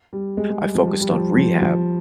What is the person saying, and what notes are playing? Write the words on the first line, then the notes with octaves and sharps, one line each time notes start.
I focused on rehab
G3
G#3
G#3
G3
F3
G3
G3
F3
F3
F3